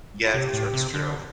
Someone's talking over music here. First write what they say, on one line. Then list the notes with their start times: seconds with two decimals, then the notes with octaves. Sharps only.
Yes, that's true.
0.24 F4
0.34 C3 G4
0.53 A2
0.73 C3
0.94 D3